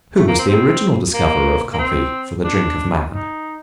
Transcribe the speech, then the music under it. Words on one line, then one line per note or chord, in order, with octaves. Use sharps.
Who was the original discoverer of Coffee, for the drink of man?
A3
A#3
C4
C4
A#3
A#3
C4
D4
D#4